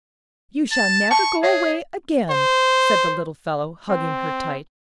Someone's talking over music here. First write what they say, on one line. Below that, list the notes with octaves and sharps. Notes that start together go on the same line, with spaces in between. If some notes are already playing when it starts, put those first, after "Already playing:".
"You shall never go away again," said the little fellow, hugging her tight.
A5
A5 C#6
G#4 C#5 E5
C5
C4